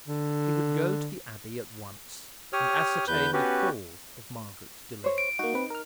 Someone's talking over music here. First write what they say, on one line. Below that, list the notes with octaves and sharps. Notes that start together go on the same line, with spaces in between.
He would go to the Abbey at once, and ascertain the cause of Margaret's delay.
D3
G4 C#5 D#6 F6
E2 B4 G6
B3 C#4 F#4 G4 B4
C5 C#5
D7
A#3 D#4 F#4
C4 B4
A#4 F6